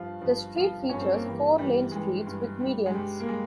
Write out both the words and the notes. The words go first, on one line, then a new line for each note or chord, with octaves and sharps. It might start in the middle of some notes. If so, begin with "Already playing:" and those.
The street features four-lane streets with medians.
Already playing: G2 F3 F4
G2 F3
G2 F3 F4
G2 F3 C#4
C4
A#3
G2 E3 G3
G2 E3 G3
G2 E3 G3 G#3
G2 E3 G3
G2 G3
G#3
G2 G3
A#3
G3 G#3